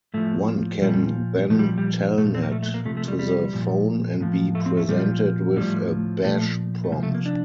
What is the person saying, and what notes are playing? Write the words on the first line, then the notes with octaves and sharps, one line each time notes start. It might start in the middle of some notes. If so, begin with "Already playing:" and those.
One can then telnet to the phone and be presented with a bash prompt.
A2 F3 A3
A#2 F3 G3
A#2 F3 A3
G3
G3
A#2 F3 A3
C4
A#3
A3
A3
A#3
C3 F3 A3
A3
G3
G3
A#2 F3
A2 F3
A3
C4
A3
A#2 F3 G3
A2 F3 G3
A#2 F3 A3
A3
C3 F3 G3
A3
A#3
D4